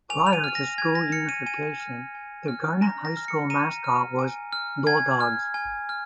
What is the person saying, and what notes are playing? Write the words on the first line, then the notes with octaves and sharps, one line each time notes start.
Prior to school unification, the Garnett High School mascot was Bulldogs.
G#5 F7
F7
D#7
F6
A#6
G#5 G#6
A#6
F6 C#7
D#7
G#5 D#7
F6
G#5
F6
A#5 A#6
A#6
F6
C#7
A#5 D#7
F6
G#5
F6
G#5 G#6
F6
G#5
F6